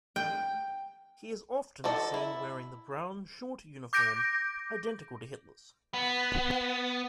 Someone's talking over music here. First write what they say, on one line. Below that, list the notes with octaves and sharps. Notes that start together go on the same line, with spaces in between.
He is often seen wearing the brown short uniform identical to Hitler's.
G5
D#3 F#4 A4 D5
E4
D6 G6 A#6 D7
B3